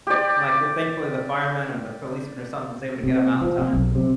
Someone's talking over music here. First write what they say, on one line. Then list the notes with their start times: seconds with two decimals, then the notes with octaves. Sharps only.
and, like, the thankfully the fireman or the policeman or something was able to get him out in time.
0.07 G4 D5
3.03 C3
3.41 F3
3.59 C3
3.73 B1
3.95 C3